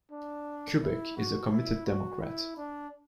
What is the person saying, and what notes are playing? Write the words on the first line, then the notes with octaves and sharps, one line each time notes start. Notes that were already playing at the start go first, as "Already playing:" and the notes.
Kubek is a committed Democrat.
D4
E4
F#4
E4
F#4
E4
D4